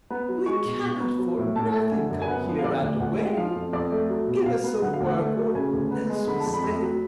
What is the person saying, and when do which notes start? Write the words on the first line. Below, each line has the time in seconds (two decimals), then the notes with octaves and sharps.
"We cannot for nothing come here, and away. Give us some work, or else we stay."
0.10 B3
0.28 F#3
0.46 G#3 C#6
0.65 B2
0.83 B2
1.00 B3
1.18 F#3
1.38 A2
1.56 A2 A5
1.74 A3
1.91 D3 G#5
2.10 F#2
2.22 G#5
2.28 B3 F#5
2.46 F3
2.59 F5
2.64 D3 D5
2.82 D2
3.00 D2 F#5
3.19 G#3
3.37 F3 F5
3.55 F2
3.73 F2 D5
3.92 A3
4.09 F#3
4.27 B2
4.45 B2 F5
4.64 B3
4.82 D3 F#5
4.93 F5
5.00 D2
5.06 F#5
5.18 A3
5.36 F#3
5.55 C#3 G#5
5.73 D2
5.91 B3
6.09 G#3
6.27 D3 B5
6.40 A5
6.46 F2
6.54 B5
6.64 F2
6.81 F#3